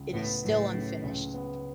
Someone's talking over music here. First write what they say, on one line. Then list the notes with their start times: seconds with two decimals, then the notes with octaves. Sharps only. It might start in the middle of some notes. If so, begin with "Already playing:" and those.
It is still unfinished.
Already playing: C#2 C#3
0.13 A2 B3
0.43 A2 F#3
0.74 C#3
1.04 C#2
1.34 B3